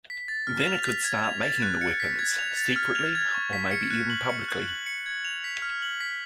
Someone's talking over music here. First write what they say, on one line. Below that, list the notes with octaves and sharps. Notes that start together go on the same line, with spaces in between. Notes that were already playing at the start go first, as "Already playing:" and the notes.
Then it could start making the weapons - secretly or maybe even publicly.
B6
A6
F6
F7
B6
G#6
F7
A6
F#6
C#7
B6
G#6
F7
A6
F6
F7
G#6
C#6
B6
C#7
F#6
F#7
C#7
F#6
F#7
C#7
G#6
F7
B6
F6
F#7
B6